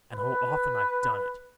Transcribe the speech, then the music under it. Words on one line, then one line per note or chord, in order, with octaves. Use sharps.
And how often I've done it!
B4